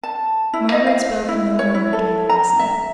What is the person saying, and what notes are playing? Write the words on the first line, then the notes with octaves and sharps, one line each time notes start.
Margaret spoke no more during the lesson.
A5
E4
D#5
F5
E4
C#5
E4
A4
A#5
E5